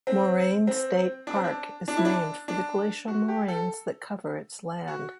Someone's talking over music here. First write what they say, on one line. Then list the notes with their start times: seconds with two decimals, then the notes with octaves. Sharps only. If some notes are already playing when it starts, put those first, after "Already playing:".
Moraine State Park is named for the glacial moraines that cover its land.
0.07 C4
0.67 C4
1.27 D4
1.35 C4
1.44 D4
1.88 D4
1.97 E4
2.05 D4
2.48 D4
3.08 F#4
3.28 G4
3.48 A4
4.88 F#4